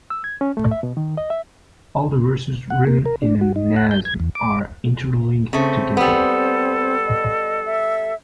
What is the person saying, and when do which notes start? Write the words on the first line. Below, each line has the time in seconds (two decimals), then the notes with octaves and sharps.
All the verses written in a Nazm are interlinked together.
0.10 E6
0.24 G#6
0.41 C#4
0.57 A3
0.71 E5
0.83 B2
0.97 D#3
1.17 D#5
1.30 E5
2.70 F#5
2.87 A#3
3.06 A#4
3.22 D4
3.41 F#4
3.56 D#4
3.76 F#5
3.91 G6
4.05 G#6
4.20 E2
4.35 D6
5.53 C#3 A3 C4
5.97 G3 B3 A4
7.06 D#5
7.66 E5